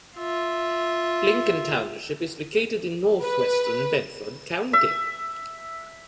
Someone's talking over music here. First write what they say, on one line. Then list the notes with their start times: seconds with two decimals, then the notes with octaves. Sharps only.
Lincoln Township is located in northwestern Bedford County.
0.17 F4 E5
3.21 B4
4.73 E5